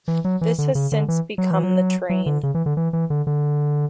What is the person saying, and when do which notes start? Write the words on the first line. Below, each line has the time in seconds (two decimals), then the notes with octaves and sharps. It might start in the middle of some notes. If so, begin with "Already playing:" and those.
This has since become the train.
0.08 E3
0.24 F#3
0.41 E3
0.58 D3
0.75 C#3
0.92 D3
1.08 E3
1.38 F#3
1.51 E3
1.64 F#3
2.10 F#3
2.26 D3
2.43 C#3
2.55 E3
2.66 D3
2.77 E3
2.93 E3
3.10 D3
3.27 D3